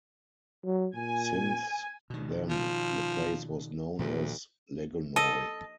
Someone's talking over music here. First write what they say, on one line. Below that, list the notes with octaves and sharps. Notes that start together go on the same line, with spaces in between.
Since then, the place was known as "Lagonoy".
F#3
A#2 G#5
B2 D#3
F3
D2 A#2 D#3 F3
A4 D#5